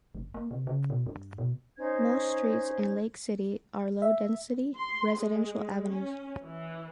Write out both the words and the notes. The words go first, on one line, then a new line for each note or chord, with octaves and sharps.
Most streets in Lake City are low density residential avenues.
G1
A#3
C3
C#3
B2
G2
B2
C#4 D#4 C5 G#6
E5
C6
G#3
C#4
E3